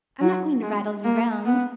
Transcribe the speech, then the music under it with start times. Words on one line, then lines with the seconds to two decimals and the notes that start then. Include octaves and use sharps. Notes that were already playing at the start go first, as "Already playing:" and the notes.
I'm not going to rattle you round.
0.21 F#3
0.62 G#3
1.04 A#3
1.45 B3